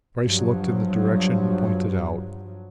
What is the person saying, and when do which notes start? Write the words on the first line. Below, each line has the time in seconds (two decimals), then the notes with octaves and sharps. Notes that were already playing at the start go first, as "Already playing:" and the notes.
Bryce looked in the direction pointed out.
0.24 G2 F3 F#3